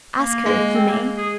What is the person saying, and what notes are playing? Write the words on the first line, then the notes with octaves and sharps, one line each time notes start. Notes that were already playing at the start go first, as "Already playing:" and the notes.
"Ask her if you may."
A#3
G#3
C4
A#3
G#4